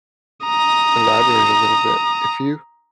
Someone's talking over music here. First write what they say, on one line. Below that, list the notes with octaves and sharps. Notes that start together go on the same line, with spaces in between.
elaborate a little bit. If you
A#5 D#6